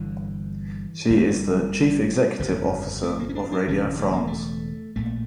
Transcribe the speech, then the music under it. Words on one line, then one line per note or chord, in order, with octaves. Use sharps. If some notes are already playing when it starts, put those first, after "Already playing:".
She is the chief executive officer of Radio France.
Already playing: G1 G2 D3 E3
G1 G2 D3 G3
G1 F2 C#3
A3
A#3
C#4
D4
D4
E1 E2 C#3 C#4
A3
A#3
A3
A#1 A#2 A3